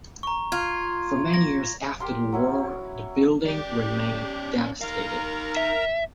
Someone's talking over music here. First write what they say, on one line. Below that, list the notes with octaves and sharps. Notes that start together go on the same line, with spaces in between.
For many years after the war the building remained devastated.
A#5 C#6
F4 G#6
A#6
G4 A#4 C6
F#3 C#4 E4
C#4
C#4 G4 D5
D#4 A#4 F5 A#5
E5